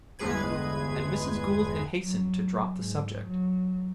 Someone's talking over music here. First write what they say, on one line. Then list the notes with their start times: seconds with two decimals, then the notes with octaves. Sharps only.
And Mrs. Gould had hastened to drop the subject.
0.19 G1 E2 G#3 G#4 B4 G#6
2.02 F#3
2.77 G#2
3.25 F#3